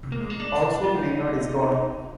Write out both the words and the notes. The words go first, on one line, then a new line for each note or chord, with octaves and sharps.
Also Maynard is gone.
A#3
G#3
A#3
D4
F4
D#4